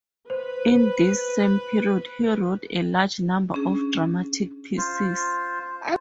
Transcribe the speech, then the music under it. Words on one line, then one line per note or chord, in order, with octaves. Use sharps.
In this same period he wrote a large number of dramatic pieces.
B4 C5
C#4 D4 G#4
F4 C5